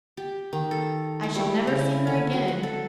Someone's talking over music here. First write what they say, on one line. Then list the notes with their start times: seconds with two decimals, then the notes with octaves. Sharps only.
I shall never see her again....
0.17 G4
0.53 D#3
0.71 A4
1.23 E4
1.35 G3
1.67 C#3
1.81 E4
2.07 D3
2.33 F#3
2.48 F#5
2.63 A4